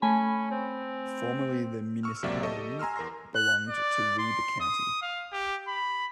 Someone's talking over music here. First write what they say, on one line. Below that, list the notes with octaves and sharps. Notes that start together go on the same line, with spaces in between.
Formerly the municipality belonged to Ribe County.
A3 C#4 G#5 B5
C4
C#6 E6 F6
C#2 C3 F#3 A#3 D5 E5
G4 A4 D#5 C#6
G#5 A#5 C6 E6 F6
E2 A#4 A#5 C6 A#6
F#6
D5
C6
D#6
F5
G4
B5